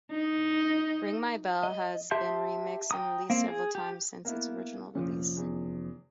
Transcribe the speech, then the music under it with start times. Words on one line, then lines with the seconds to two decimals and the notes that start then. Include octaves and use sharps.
"Ring My Bell" has been remixed and released several times since its original release.
0.11 D#4
1.63 D#5
2.11 G4 E5 A5 C6 G6
2.91 G5 A#5 D#6
3.30 A#3 C4
3.48 G#4
3.75 G4
4.25 A#3 B3 E4
4.95 F1 A#2 F3 C#4
5.37 E2 D#3